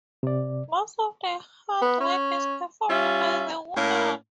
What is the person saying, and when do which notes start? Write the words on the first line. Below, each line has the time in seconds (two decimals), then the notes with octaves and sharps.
Most of the hard work is performed by the women.
0.23 C3 D5
1.82 B3
2.00 C#4
2.89 G3 C#4 F4 E5
3.77 A2 A#3 C#4 A#4